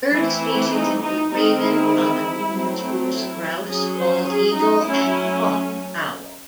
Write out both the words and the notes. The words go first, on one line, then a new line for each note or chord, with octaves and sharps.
Bird species include raven, common loon, spruce grouse, bald eagle and hawk owl.
E3 A3 C4 E4
D#4
D#4
D#3 G#3 C4 D#4
E4
F#3 A3 C4
E4
F#3 C#4 G#4
C5
G#4
D#4
F#3 A3 C#4 E4